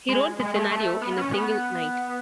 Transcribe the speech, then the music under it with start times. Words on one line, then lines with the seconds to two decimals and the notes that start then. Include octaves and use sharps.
He wrote the scenario in a single night.
0.08 G#3
0.39 G#3
0.55 A3
0.71 A3
1.02 B3
1.17 C#4
1.33 B3